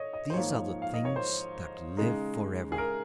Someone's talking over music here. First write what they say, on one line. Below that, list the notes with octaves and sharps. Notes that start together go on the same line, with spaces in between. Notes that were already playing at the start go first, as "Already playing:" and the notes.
These are the things that live for ever.
Already playing: C#5 D#5
D#5
C5
G#2 F3 A#3 D#4 C#5
F5
D#5
C#5
C5
C#3 G#3 D#4
G#4
A#4